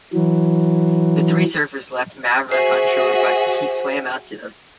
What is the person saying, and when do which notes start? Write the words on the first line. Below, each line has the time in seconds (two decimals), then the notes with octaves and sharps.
The three surfers left Maverick on shore, but he swam out to them.
0.14 E3 F#3
2.52 F#4 G#4 C5 E5